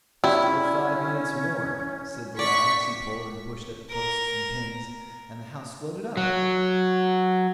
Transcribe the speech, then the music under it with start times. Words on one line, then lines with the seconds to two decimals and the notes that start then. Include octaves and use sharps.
'Still five minutes more', said the lad, as he pulled and pushed at the posts and pins, and the house floated up.
0.24 G3 C#4 E4
2.39 D5 C#6 B6
3.90 A#4
6.17 F#3